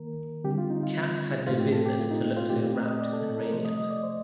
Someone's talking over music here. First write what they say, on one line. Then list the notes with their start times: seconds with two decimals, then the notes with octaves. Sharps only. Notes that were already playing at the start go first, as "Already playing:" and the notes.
Kat had no business to look so rapt and radiant.
Already playing: D#3 A#3 A#4
0.44 D3 G3 C4 G4
0.58 F4
0.70 D#4
0.83 F4
1.47 A2 A3 C4 F4
1.60 G4
1.72 A4
1.86 G4
1.99 F4
2.11 D#4
2.37 F4
2.50 A#2 A3 C4 G4
2.67 G4
2.84 D#5
3.01 D5
3.13 A4
3.26 A4
3.39 A#4
3.52 C3 F3 A3 C5
3.65 D#5
3.78 D#5
3.90 D5
4.03 C5